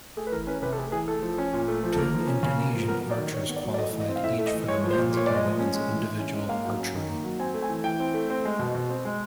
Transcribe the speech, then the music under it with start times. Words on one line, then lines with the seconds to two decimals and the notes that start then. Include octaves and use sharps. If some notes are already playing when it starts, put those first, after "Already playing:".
Two Indonesian archers qualified each for the men's and women's individual archery.
0.17 A3 G#4
0.27 B4
0.32 E3 A#4
0.47 C#4 B4
0.62 C3 B4
0.73 A4
0.77 A3 G#4
0.92 E3 G#4
1.08 A3 A4
1.22 F3
1.38 C#4
1.53 A#2
1.68 A3
1.83 F3
1.93 A4
1.98 A#3 A#4
2.13 F3
2.27 C#4
2.43 C#3
2.58 A#3
2.73 F3
2.88 B3 A#4
3.03 F#3
3.11 D5
3.18 D#3
3.33 D#3 C#5
3.49 B3
3.56 D5
3.64 F#3
3.74 D5
3.78 A3 D#5
3.93 E3
4.01 D#5
4.09 C4
4.16 F5
4.24 A2 E5
4.39 A3
4.47 D#5
4.54 E3
4.68 G#3 C#5
4.84 F3
4.91 C5
4.99 A#2
5.13 A#2 C#5
5.27 G#3 D5
5.36 D#5
5.44 F3
5.59 C#4
5.74 G#3
5.90 E3
6.03 E3
6.19 C#4
6.34 G#3
6.49 A#3 F5
6.65 F#3
6.79 C#4
6.94 D#3
7.09 A#3
7.24 F#3
7.40 C4 G#5
7.54 A3
7.62 G#5
7.69 E3
7.84 E3 G5
8.00 C4
8.14 A3
8.30 C4
8.45 G#3
8.59 B2
8.75 B2
8.90 C4
9.05 G#3